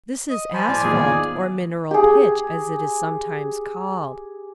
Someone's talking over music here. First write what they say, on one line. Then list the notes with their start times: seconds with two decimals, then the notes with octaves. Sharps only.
This is asphalt, or mineral pitch as it is sometimes called.
0.30 D#5
0.53 F3 G#5 B5
0.68 A2 D5 G#5
0.83 E2 A#2 D#3 G#4
1.91 G4 G#4